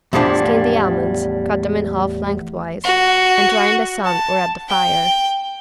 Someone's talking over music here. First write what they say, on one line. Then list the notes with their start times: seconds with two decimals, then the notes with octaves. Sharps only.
Skin the almonds, cut them in half lengthwise and dry in the sun or at the fire.
0.13 E2 A2 F3 G3 D4
2.84 F#4
4.04 A5
4.68 G5